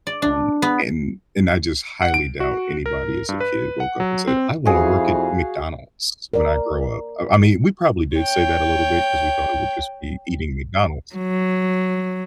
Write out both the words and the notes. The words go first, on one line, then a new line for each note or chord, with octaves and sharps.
Um, and and I just highly doubt anybody as a kid woke up and said, "I wanna work at McDonald's when I grow up," I I mean, we probably did say that a little bit 'cause we thought it would just be eating McDonald's,
D5
D4
B3
F#5
D7
F#4
A#4
G2
B4
F#5
F#3
C4
F2 E4 F#4 G#4 F5
A#4 D5
C#5 G5
F#3